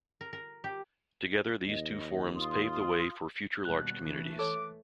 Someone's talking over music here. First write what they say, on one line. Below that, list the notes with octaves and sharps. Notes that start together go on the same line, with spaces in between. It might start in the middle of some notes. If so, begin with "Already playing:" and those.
Together, these two forums paved the way for future large communities.
A#4
A#4
G4
D#2 D#5
F4 C6 D#6
D#2 B2 G3 F#6
E3 A3
A4 C#5 D6